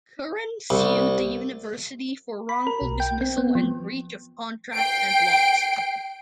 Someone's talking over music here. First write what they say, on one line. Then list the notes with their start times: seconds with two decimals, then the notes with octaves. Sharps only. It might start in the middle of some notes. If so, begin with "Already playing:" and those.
Curran sued the University for wrongful dismissal and breach of contract and lost.
0.70 C2
2.49 B5
2.67 A#4
2.82 B1
3.00 G5
3.21 C4
3.38 B3
3.55 F3
4.73 G5 C7 D7